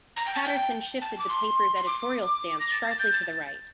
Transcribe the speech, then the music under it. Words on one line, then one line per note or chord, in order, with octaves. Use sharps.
Patterson shifted the papers' editorial stance sharply to the right.
A#5
G5
A5
G5
A5
D6
C6
C6
D6
A#6
A6
A6
G6
A6